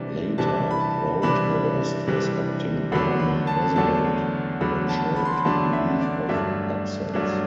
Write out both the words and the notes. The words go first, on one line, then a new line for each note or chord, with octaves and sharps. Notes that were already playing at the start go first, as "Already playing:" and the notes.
Later Broadhurst was Acting Government Resident when Sholl took leave of absence.
Already playing: C3 E3 G3 D4
C3 E3 G3 D4 A5
B5
A5
C3 E3 G3 D4 B5
C3 E3 G3 D4
E2 D3 F#3 A3 D4 B5
B5
A5
E2 D3 F#3 A3 D4 A5
E2 D3 F#3 A3 D4 B5
A5
B5
C6
B5
E2 D3 F#3 A3 D4 A5
E5
D5
G2 F#3 A3 D4 E5
G2 F#3 A3 D4